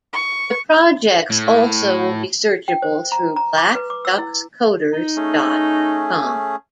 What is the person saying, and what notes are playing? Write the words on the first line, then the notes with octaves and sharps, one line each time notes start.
The projects also will be searchable through Black Duck's Koders dot com.
C#6
A2
G5
C5
A#5
A#5
D6
B4
D6
E6
E4
D#4
A3 C#4 G#4